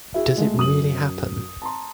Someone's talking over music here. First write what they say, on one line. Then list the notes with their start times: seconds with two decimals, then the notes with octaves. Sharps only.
Does It Really Happen?
0.14 E4 F#4 G#4 E5
0.37 G#3 A3
0.57 F#2 D#6 F#7
1.62 A5 A#5 C6